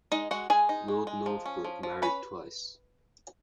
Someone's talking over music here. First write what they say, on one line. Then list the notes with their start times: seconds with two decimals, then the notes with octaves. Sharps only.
Lord Northbrook married twice.
0.12 G#3 D#4 D#5
0.31 G#3 F#4 F#5
0.50 G#3 G#4 G#5
0.69 D#4
0.88 G#3
1.07 G#3
1.26 F3
1.46 C#4
1.65 F3
1.83 F3
2.02 C#4 B4 B5